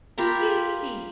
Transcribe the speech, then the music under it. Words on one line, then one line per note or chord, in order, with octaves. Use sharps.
He! he!
F4 G4 A#4 B5